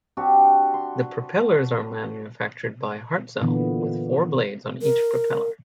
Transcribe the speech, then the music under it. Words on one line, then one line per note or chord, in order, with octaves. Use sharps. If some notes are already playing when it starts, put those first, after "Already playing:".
The propellers are manufactured by Hartzell, with four blades on each propeller.
C4 D4 F#4 G4
C6
A#2 D3 E3 B3
A#4